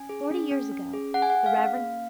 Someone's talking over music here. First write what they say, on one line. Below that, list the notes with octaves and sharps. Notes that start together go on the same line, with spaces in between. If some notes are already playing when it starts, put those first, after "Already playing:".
Forty years ago, the Rev.
Already playing: C#4 G#5
G#4
C#4
C#4
C#4
G#4
G#4 F#5
G#5
F#5
G#4
F5
C#4
A#3